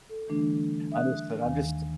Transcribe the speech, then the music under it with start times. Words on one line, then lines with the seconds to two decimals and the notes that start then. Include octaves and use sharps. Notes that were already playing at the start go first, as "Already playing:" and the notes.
Understood, I'm just
0.09 A4
0.28 D3 E3 G3 A3 D4
0.92 E5 D#6 F#6
1.40 D#2 D#3 F5 F#5 G#5